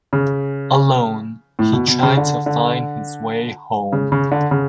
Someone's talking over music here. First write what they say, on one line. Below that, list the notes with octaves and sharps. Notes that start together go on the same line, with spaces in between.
Alone, he tried to find his way home.
C#3
A2
B2
B2
C#3
D3
D3
C#3
C#3
D3
C#3